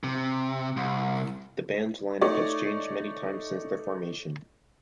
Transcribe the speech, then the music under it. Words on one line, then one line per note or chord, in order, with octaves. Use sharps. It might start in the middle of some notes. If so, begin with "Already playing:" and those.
The band's lineup has changed many times since their formation.
C3
C2
A3 D#4 C#5 D5